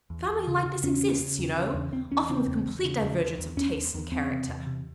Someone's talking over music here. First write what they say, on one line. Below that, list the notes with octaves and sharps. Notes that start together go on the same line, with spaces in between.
'Family likenesses exist, you know--often with complete divergence of tastes and character.'
E2
E2
C#3
C#3
E2 C#4
C#3
C#3
E2
C#3
E2
E2 C4
E2 C#4
C#3 C4
E2
E2
C#3
E2
E2
E2
E2 C#4
E2
E2
E2 C4
C3
E2
C3